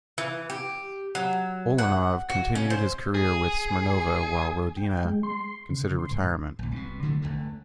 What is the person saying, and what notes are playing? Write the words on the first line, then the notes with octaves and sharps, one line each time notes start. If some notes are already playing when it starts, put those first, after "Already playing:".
Ulanov continued his career with Smirnova, while Rodnina considered retirement.
E3
G4
F#3
F#5
F#4
C#4
C5
G#4
G5
G#3
C6
C#3
C6
G#2
A#1 D#2
C2 B2
D3 E3 F#3 A3
G1 E2 D3 A3